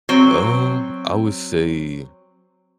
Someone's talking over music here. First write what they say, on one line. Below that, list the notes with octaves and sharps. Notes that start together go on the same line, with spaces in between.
U um, I would say
F#3 C4